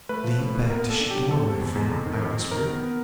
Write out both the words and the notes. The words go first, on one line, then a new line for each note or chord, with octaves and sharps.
"Lead back to Shador, my friend," I whispered.
A3 B4
F3
A2
A2
B3 A#4
A#2 A4
D4
F#3 G4
E2 A4
C3
E2
E2
F2
D#3
F2
F2
D#3 A#4
B3
B3